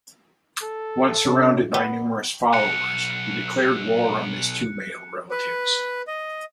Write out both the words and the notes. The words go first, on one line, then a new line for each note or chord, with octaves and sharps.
Once surrounded by numerous followers, he declared war on his two male relatives.
A4
C3 C#4
B3
B1 B2 F#6 C#7
B4
D#5